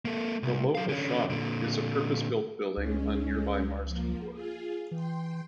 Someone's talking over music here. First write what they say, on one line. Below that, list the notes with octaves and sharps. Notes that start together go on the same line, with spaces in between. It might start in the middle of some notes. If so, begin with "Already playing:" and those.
The "Local Shop" is a purpose-built building on nearby Marsden Moor.
A#3 A4
C2
F#3 F5
D3 C#4
A#2 D3
C#2 G#3 C#4
F3 A#3
F4 G#4
E3 G5 C6